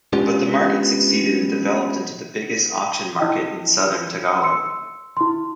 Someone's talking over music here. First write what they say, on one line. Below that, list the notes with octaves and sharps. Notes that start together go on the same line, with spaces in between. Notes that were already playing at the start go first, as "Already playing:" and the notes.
But the market succeeded and developed into the biggest auction market in Southern Tagalog.
G#3 B3 C#4 D4 F4 G4
E4 D#5 G5
C6 E6 C#7
E4 C6